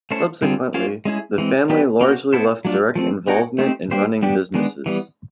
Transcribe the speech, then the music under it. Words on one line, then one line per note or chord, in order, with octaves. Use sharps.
Subsequently, the family largely left direct involvement in running businesses.
A3 C#4 E4 A4 C5
D3 G3 C4 F4 G#4
A#3 C#4 F4 G#4 C5
G#3 C#4 E4 G#4
E3 G#3 C4
F#3 B3 D4 G4 B4
A#3 C#4 F#4
B3 E4 A4 C5
F#3 A3 D4 F4
F3 A3 C4
B3 D#4 F#4 A#4 C#5
A3 C4 D#4 G4 C5
G3 A#3 D4 G4 C5
G3 B3 D4 G4
D#3 G#3 B3 D4
E3 G3 B3